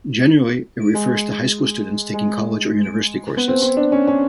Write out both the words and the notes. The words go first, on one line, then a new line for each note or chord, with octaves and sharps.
Generally, it refers to high school students taking college or university courses.
G#3
G#3
B3
C4
C4
D4
C#4
C#4